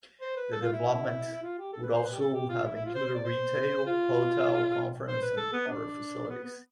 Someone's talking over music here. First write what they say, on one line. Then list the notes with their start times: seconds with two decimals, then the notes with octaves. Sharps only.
The development would also have included retail, hotel, conference and other facilities.
0.21 C5
0.37 B4
0.52 A4
0.62 F4
0.73 E4
1.43 F4
1.58 G4
1.73 A4
1.83 B4
1.93 C5
2.03 B4
2.12 G4
2.19 A4
2.34 G4
2.49 F4
2.64 E4
2.75 E4
2.85 F4
2.94 C5
3.05 C5
3.15 D5
3.25 C5
3.86 F4
5.08 C5
5.22 B4
5.37 A4
5.53 B3
5.68 D4
6.28 B3
6.44 B3